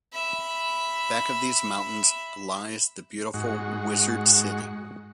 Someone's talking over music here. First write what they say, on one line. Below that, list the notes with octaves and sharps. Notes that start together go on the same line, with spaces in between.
Back of these mountains lies the beautiful Wizard City.
E5 B5
G#2 F#4